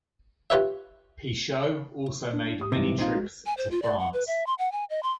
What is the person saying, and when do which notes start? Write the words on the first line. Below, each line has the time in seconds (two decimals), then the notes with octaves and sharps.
Pichot also made many trips to France.
0.50 F4 G4 B4 C#5 E5
2.33 D4
2.59 G4 D#6
2.72 B1 G#2 C3 E3 G3
2.99 A#1 C4 D#4 F4
3.13 G#3 F#4
3.46 G#5
3.57 C5
3.71 F4
3.82 D5
3.99 F#5
4.13 B4
4.27 E5
4.47 C6
4.59 F#5
4.72 G#5
4.90 D#5
5.03 C6